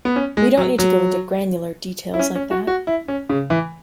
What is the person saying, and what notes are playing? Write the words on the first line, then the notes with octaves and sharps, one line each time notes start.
We don't need to go into granular details like that.
B3
C#4
G#3
F#3
F#3
E4
C#4
C#4
F#4
F#4
E4
C#4
C#3
E3